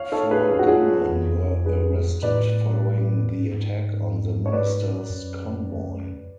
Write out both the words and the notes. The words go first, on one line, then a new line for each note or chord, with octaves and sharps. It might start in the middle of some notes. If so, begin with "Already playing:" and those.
Four gunmen were arrested following the attack on the minister's convoy.
Already playing: C#5 F5
A4 C#5
G#4 B4
G#4
F#4
F4 G#4
F2
G#4 B4
A2 B4 D5
G#2
C#5
B4 D5
F#2